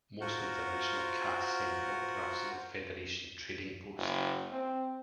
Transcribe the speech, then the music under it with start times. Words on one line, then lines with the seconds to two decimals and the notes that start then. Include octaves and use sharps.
Most of the original cast signed autographs at the Federation Trading Post.
0.21 F4 F#4 A#4 C5 F#5
3.97 F#1
4.52 C4